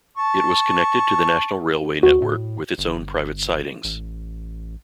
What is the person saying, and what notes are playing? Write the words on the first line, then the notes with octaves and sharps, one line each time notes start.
It was connected to the national railway network, with its own private sidings.
A5 C#6
D#2 F#4
A2
G1
A1